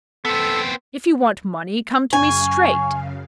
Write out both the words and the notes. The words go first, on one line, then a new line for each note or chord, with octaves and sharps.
If you want money come to me straight.
B3 C4 A4 E6
F#2 C#3 F5 G#5 C#6